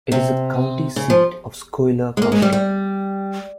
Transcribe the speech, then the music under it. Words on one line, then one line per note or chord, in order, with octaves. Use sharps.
It is the county seat of Schuyler County.
C3
C#3
F3
G#3
A#3
G#3
G3
G3